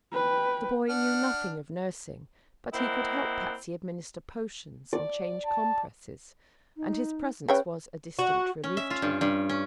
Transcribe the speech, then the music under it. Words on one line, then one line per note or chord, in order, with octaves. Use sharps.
The boy knew nothing of nursing, but he could help Patsy administer potions and change compresses and his presence was a distinct relief to her.
B4 G5
D4 F#5 F6
A#3 C4 E4 D#5 F#5
D5
A5
D#4
C#3 B4 C#5 G5
F#4
C#4
E5
F4
G2
G2
C#4